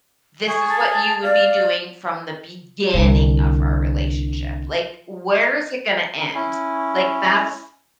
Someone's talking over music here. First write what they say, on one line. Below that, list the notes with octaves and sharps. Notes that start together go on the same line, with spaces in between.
"this is what you would be doing from the beginning of our relationship. Like, where is it gonna end?" Like, that's
G#4 C#6
A5
D5 F5
C2 D3
C#4 E4